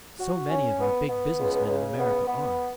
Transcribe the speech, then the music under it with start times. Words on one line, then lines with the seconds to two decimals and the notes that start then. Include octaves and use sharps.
So many of our big business men in America are.
0.20 F#4
0.50 C#4
0.80 B3
1.09 B3
1.39 C#2
1.69 C#3
1.99 B3
2.28 B3